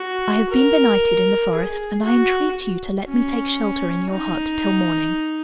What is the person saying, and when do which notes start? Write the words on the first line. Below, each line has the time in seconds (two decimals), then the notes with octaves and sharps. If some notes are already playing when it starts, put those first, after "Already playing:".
'I have been benighted in the forest, and I entreat you to let me take shelter in your hut till morning.'
Already playing: F#4
0.50 A#4
1.53 G#4
2.04 F#4
3.08 C#4
4.11 D#4